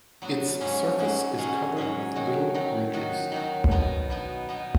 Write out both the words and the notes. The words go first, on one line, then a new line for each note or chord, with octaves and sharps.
Its surface is covered with little ridges.
F#3 B3 F#4
G#2 F#3 C#4 G#4
G#2 F#3 C#4 G#4
G#2 F#3 C#4 G#4
G#2 F#3 C#4 G#4
D#3 F#3 D#4 F#4
D#3 F#3 D#4 F#4
D#3 F#3 D#4 F#4
D#3 F#3 D#4 F#4
B2 B3 D#4
B2 B3 D#4
B2 B3 D#4